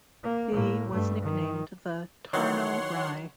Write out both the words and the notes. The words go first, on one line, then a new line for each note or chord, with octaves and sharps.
He was nicknamed the "Tarno Rye".
A#3
A2 A#3
G2 A3
D#3
D#3 E3 F#3 C#5 F#5 C6